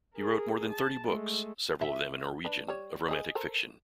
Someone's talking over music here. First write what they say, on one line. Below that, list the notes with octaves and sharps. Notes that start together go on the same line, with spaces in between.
He wrote more than thirty books, several of them in Norwegian, of romantic fiction.
G#4 A#4
A5
G#3 A3
E5
D4 B4
G3 C#5
G#4 D#5
A4 A#4 C5